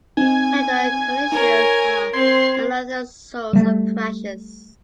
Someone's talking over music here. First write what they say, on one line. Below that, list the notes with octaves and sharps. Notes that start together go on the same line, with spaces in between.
Head-on collisions are another source of crashes.
C4 D#4 G#5
D#4 A#4 C#5
C4 C6 G#6 C7
G3 A3